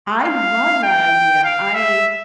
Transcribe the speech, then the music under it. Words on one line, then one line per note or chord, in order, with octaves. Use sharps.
I love that idea, I
F5
G5
F5
E5